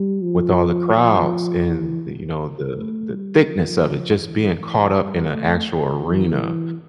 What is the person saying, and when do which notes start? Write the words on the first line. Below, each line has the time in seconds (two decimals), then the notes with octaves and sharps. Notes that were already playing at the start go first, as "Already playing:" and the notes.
with all the crowds and the you know, the the thickness of it, just being caught up in an actual arena
Already playing: G3
0.23 F3
0.96 F3
1.68 E3
2.76 A3
3.13 G3
3.48 F3
4.21 E3
4.94 G3
5.29 A3
6.02 E3